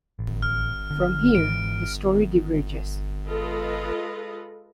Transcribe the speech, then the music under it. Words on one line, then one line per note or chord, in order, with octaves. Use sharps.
From here, the story diverges.
A1
F6
D3
G#2 E3 D7
G#3 F4 A4 B4 D#5